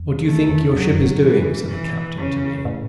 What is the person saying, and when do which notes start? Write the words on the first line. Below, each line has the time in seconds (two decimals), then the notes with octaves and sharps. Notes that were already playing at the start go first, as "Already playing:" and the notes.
"What do you think your ship is doing?" said the captain to me.
Already playing: E2
0.26 A3
0.49 E2
0.73 E2 F#3
0.90 F#2
1.06 G#2
1.21 B2 E3
1.37 C#3
1.54 B2
1.70 E3
2.17 C#3
2.65 A2